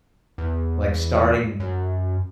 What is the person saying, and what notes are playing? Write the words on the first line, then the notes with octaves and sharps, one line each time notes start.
like starting
E2
F#2